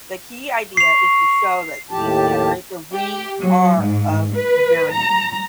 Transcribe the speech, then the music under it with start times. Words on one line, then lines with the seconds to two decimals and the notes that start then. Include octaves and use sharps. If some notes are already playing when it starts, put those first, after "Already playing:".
The key idea is to show that these generate the ring "R" of invariants.
0.77 C#6 C7 F7
1.91 D#2 A2 G4 A5
2.93 G4
3.41 F#3
3.80 G#2
4.35 B4
4.92 A#5